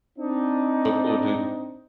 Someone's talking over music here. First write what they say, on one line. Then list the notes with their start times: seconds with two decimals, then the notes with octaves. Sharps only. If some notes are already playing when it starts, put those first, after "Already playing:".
Oh, cool, dude.
0.19 C4 D4 D#4